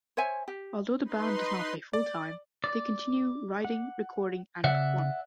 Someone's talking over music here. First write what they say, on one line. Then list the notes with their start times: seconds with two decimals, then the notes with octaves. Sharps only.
Although the band does not play full-time, they continue writing, recording, and performing.
0.17 C5 C#5 E5 G#5
0.48 G4
1.04 D#4 B4 C6
1.93 D5
2.64 D5
3.65 F#5
4.64 C#3 D5 E5 F#5